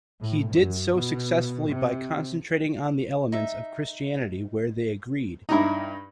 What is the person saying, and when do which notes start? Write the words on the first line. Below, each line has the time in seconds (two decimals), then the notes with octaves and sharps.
He did so successfully by concentrating on the elements of Christianity where they agreed.
0.21 A2
0.51 F#2
0.94 B2
1.70 C3
3.32 D#4 E5
5.49 G2 D#4 E4 G4 A#5